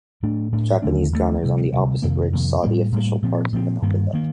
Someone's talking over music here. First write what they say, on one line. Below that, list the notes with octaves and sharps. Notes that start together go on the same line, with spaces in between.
Japanese gunners on the opposite ridge saw the official party and opened up.
A2 A3 D4
A2 A3 D4
D#2 D3 A3 D4
D#2 D3 A3 D4
D2 C3 D#3 G3
D2 C3 D#3 G3
F2 C3 D#3 A#3
F2 C3 D#3 A#3
A2 G3 A#3
A2 G3 A#3
A#2 F3 C4
A#2 F3 C4
G2 D#3 A#3
D#3 A#3